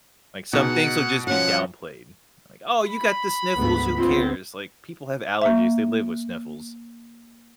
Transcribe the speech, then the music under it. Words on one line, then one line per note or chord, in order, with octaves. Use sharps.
Like, some things will just be downplayed. Like, "Oh, you got the sniffles, who cares? Like, people have allergies, they live with sniffles."
B2 D#4 G#4 F#5
F3 C#4 F#4 F#5
B5
D2 G#2 B3
D2 B3 C4 F4
A#3 E5